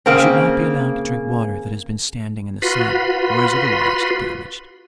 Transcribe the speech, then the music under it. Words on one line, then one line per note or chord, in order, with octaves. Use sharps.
He should not be allowed to drink water that has been standing in the sun, or is otherwise damaged.
C#3 A#3 C4
F4 F#4 B4 B5 C6